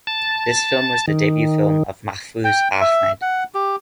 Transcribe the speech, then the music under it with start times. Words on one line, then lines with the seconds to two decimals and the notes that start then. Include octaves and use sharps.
This film was the debut film of Mahfuz Ahmed.
0.07 A5
1.08 D#3
2.44 G5
2.81 E5
3.22 F#5
3.54 G4